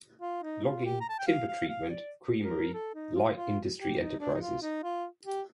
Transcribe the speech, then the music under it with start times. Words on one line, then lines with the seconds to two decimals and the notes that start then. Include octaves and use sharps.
Logging, timber treatment, creamery, light industry enterprises.
0.22 F4
0.43 D#4
0.64 F4
0.85 G4
1.01 A#5
1.09 A5
1.19 G5
1.27 F5
1.48 F5
1.69 F5
1.90 D5
2.42 A#4
2.74 A4
2.95 D#4
3.15 F4
3.36 F4
3.78 G4
3.99 D#4
4.20 D4
4.34 D#4
4.41 F4
4.62 D#4
4.83 F4
5.25 G4